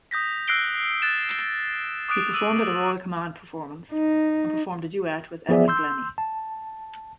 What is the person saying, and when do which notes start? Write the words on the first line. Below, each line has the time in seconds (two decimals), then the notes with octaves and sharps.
He performed at a Royal Command Performance, and performed a duet with Evelyn Glennie.
0.11 D#6 G6 A#6 B6
0.48 E6 F#6 A#6 C7 D7 G7
1.02 F#6 A6 E7
2.09 D6 D#6 F#6 D7
2.34 E6 D#7 F#7
3.94 D#4
5.49 F3 B3 G#4 D5 E5
5.68 C6 E6 G6
6.18 A5